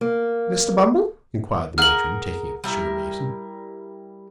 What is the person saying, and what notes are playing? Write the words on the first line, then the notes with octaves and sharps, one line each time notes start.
Mr. Bumble?' inquired the matron, taking up the sugar-basin.
A#3
G#4 A#4 F#5 F6 F#7
G3 E4 A#4